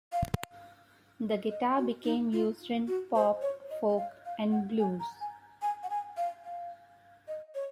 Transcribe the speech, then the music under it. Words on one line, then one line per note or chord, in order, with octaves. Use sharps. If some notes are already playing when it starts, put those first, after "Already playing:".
The guitar became used in pop, folk, and blues.
F5
D#5
F#4
D#4
F4
F#4
C5
C#5
D#5
D#5
F5
F5
F#5
G#5
A#5
G#5
G#5
F#5
G#5
F5
F5
D#5
C#5